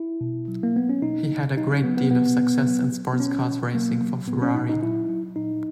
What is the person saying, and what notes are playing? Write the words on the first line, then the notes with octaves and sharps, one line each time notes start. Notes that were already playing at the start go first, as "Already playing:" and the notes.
He had a great deal of success in Sports Cars racing for Ferrari.
Already playing: E4
B2
F#3
A#3
F#3 B3
C#4
B2 D#4
B2
F#3 D#4
C#4
F#3 B3
B3
B2 B3
B2
F#3
F#3
B3
B2 C#4
B2
F#3 A#3
F#3
A#2 B3
C#4
A#2 D#4
D#4
F#3 E4
F#3
A#2 D#4